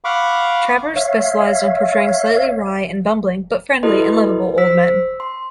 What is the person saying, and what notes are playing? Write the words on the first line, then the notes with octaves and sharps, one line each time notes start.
Travers specialized on portraying slightly wry and bumbling but friendly and loveable old men.
F5 F#5 B5 C#6 D6
C#5 E5 F5
E4 F#4 A4 B4 D#5 C6
C5 E6 B6
C6